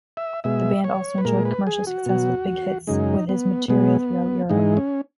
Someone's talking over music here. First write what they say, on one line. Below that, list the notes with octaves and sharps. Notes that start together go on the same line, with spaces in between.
The band also enjoyed commercial success with big hits with this material throughout Europe.
E5
B2 G#3 E5
C#5
B4
A#2 G#3 A#4
B4
G#4
F#4
B2 F#3
F#2 C#3 G#3 D#4
B3
B2 G#3 B3
G#2 E3 G#3 D#4
C#4